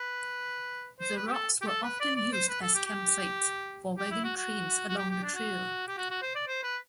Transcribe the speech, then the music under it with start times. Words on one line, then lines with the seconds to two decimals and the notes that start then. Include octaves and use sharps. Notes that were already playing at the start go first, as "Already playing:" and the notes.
The rocks were often used as campsite for wagon trains along the trail.
Already playing: B4
1.00 C5
1.16 B4
1.27 G4
1.33 A4
1.62 G4
1.67 A4
1.83 B4
2.00 D5
2.16 D5
2.33 C5
2.49 B4
2.62 A4
2.75 G4
2.87 G4
3.98 G4
4.11 E4
4.24 F#4
4.37 F#4
4.88 F#4
4.98 G4
5.10 G4
5.23 D4
5.35 F#4
5.88 G4
5.98 F#4
6.11 F#4
6.22 C5
6.35 D5
6.48 C5
6.63 B4